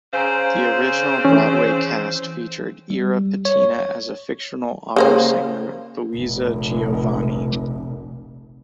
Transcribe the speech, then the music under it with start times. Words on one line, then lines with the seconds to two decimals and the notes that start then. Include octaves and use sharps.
The original Broadway cast featured Irra Petina as a fictional opera singer Louisa Giovanni.
0.13 C#3 C4 C5 F5 G#5 A#5
1.25 E3 C#4
2.90 G3
3.45 C#5
4.96 C#3 A#3 C5
6.15 F1 A#1